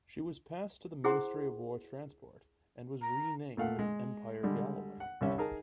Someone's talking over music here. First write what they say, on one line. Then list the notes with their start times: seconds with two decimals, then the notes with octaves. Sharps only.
She was passed to the Ministry of War Transport and was renamed "Empire Galway".
1.04 E4 G#4 C5 F#5 C6
3.02 A#5
3.57 A#2 A3 F5 F#5
3.79 G#3
4.43 D3 G3 G#3
5.00 F#5
5.21 C2 G3 C#4 E5
5.38 D#4 G#4 A#4 A5